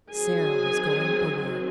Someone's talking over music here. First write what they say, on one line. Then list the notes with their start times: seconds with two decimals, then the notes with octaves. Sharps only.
Sara was going away.
0.13 D#3 F#3 C4 G#4 G#5